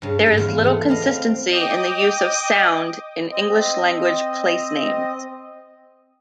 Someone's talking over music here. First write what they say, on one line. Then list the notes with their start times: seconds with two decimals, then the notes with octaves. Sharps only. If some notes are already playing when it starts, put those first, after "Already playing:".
There is little consistency in the use of "sound" in English-language place names.
0.02 G2 C#3
0.26 G#2
0.38 E2 F4 F5
0.64 A3 B3
0.89 D#5 F5 B5
1.02 C4 F5
1.51 D#5 G5 D6 D#6
3.32 C4 D#5